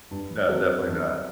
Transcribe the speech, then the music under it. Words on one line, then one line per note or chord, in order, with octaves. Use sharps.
no, definitely not,
G2
F#3 C4 F#4 A#4
G2